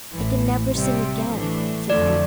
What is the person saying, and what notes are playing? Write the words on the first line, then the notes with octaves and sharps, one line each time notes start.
"I can never sing again," said the dream.
A1 A2 E3
C3 G3 C4
A2 E3 A3 D4
F2 D3 F3 A3 D5